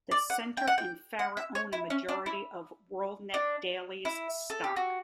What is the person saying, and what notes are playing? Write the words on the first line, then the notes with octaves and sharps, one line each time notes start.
The Center and Farah own a majority of WorldNetDaily's stock.
D5
F#5
G5
F#5
G5
F#5
E5
C#5
E4
C#4
D4
E4
D4
E4
A4
G4
F#4